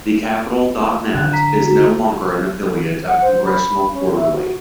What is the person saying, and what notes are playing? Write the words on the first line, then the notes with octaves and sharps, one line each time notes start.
TheCapitol.Net is no longer an affiliate of Congressional Quarterly.
D3 F#6
A#5 B6
F#4
F#5
C5
B5
C#4
E5
F#4